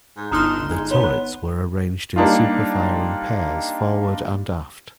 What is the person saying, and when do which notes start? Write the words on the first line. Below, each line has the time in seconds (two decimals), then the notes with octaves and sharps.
The turrets were arranged in superfiring pairs forward and aft.
0.17 G#2
0.31 G1 D4 D#4 A#5 C6 D#6 F6
0.70 G#3
0.91 B3 C#5 A#5
1.04 C#5 F#6
2.16 G3 A#3 D4 D#4 F4